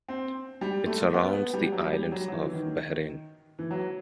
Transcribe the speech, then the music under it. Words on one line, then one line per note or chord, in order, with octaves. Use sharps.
It surrounds the islands of Bahrain.
C4
G3
A3
B3
B3
G3
F#3
G3
F#3
F#3
E3
E3
D#3
E3
F#3